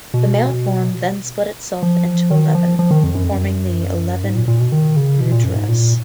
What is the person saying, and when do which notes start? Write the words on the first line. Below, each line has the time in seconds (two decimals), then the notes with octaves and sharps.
The male form then split itself into eleven, forming the eleven Rudras.
0.14 B2
1.83 F3
2.31 D#3
2.55 F3
2.79 F3
2.91 D#3
3.03 F2
3.15 F#2
3.24 F2
3.32 F#2
4.23 G#2
4.35 A#2
4.48 A#2
4.60 B2
4.72 D#3
4.96 C#3
5.20 B2
5.31 A#2
5.44 F#2
5.56 G#2
5.68 A#2